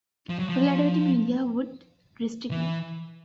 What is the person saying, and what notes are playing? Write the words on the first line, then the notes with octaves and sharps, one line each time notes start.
Relativity Media would distribute.
F3
F#3
F3
E3